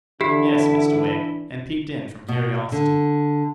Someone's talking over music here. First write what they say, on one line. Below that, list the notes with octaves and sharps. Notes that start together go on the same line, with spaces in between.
'Yes, Mr Wegg, and peeped in from curiosity.'
D3 E3 D4 E4 G4
B2
D3